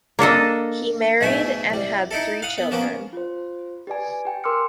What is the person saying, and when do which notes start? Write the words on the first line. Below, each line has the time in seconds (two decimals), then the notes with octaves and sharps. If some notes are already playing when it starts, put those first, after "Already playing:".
He married and had three children.
0.19 A#3 D4 A4 D#5
1.21 B1 G#2 B2 A3 E5 G#5
1.70 C2 G3
2.11 D#4 E4 A4
2.42 F5 F#5 D#6
2.58 B3
2.71 F3 A#3 B3 C#4
3.13 F4 C5
3.87 G4 B4 D5 G#5
4.25 G4 G5 G#5
4.44 A#4 C6 D6 E6 F6 C#7